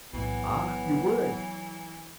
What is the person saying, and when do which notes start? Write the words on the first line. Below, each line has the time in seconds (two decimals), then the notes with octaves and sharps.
Ah, you would?
0.13 B1 A2 E3 F#3 B3